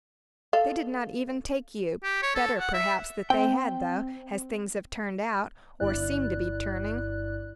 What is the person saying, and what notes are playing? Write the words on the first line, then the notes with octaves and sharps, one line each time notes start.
They did not even take you; better, perhaps that they had though, as things have turned out, or seem to be turning.
A4 F5
G4
C#5
A4
F#5
E5
C4 G5
G1 G2 E4 D5 F#6